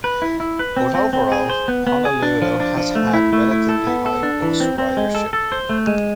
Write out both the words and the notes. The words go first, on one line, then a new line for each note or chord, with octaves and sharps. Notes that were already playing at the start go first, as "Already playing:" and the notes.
But overall, Honolulu has had relatively high bus ridership.
B4
E4
E4
B4
C4
C4
C4
G#4
C5
B3
B3
G#4
D4
F3
D4
F3
A3
E4
A3
E4
A4
B3
A4
D4
E3
C4
C4
G#3
A4
A4
C5
A3
G#3